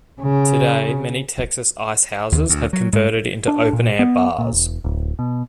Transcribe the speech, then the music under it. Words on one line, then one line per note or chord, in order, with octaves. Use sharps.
Today many Texas ice houses have converted into open-air bars.
C#3
D#2
D2
F#3
G#2
D4
A#2
B3
A#2
E1
D1
B2